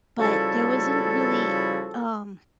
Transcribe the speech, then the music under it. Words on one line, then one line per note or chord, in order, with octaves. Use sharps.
but there wasn't really, um
C#3 F3 G3 E4 F#4 A4